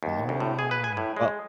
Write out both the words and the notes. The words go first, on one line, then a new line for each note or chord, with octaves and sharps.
Oh, well
D#2
D2
A2
G#4
B4
G#5
A2
G#3